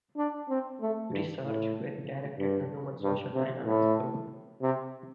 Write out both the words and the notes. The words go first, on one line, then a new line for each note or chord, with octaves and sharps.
Research, where he directed the Human Social Dynamics group.
D4
C4
A3
G2
A2
G2
G2
C3
A2
C3